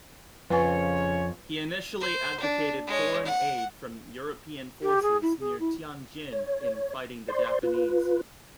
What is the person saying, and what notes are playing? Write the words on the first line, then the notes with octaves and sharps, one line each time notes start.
He initially advocated foreign aid from European forces near Tianjin in fighting the Japanese.
F2 C#3 C#4 F4 B4 C#5 G#5
C5
D4
G#3 C#5
F#5
G4
G#4
E4
G#4
E4
C#5
C5 D5 C6
F4 B4